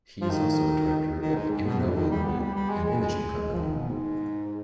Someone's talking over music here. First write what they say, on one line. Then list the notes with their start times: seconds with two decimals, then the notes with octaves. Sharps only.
He is also a Director of Imanova Limited, an imaging company.
0.21 F3
0.30 D#3
1.20 D#3
1.35 G#2
1.50 G#2
1.65 B2
1.80 C3
1.89 D3
1.95 D#3
2.10 G3
2.25 B3
2.40 G3
2.55 G3
2.70 G#3
2.85 G#3
3.01 G#3
3.53 F3
3.60 D#3
3.74 B2
3.90 G#2